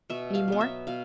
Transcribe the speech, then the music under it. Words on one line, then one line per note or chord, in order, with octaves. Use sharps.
"Any more?"
B2 E5
F5
F#3 B3
E5
B2 F5